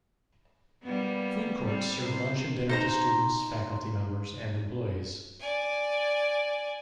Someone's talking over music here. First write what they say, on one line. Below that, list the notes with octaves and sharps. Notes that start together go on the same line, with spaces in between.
Food courts serve lunch and dinner to students, faculty members, and employees.
G3 A#3 B3
G3 C4
C3 C5
D#4 C5 A#5
D5 G#5